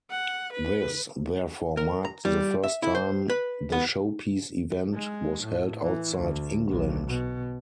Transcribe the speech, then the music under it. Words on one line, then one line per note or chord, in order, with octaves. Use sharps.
This therefore marked the first time the showpiece event was held outside England.
F#5
B4
A#4
A#5
G3
E5
E4
C5
B4
B3
G#3
A2
E3
D2
B1
B2